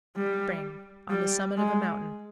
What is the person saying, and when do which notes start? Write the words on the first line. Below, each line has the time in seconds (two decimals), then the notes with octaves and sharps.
Spring.--On the summit of a mountain.
0.16 G3
1.10 G3
1.57 G#3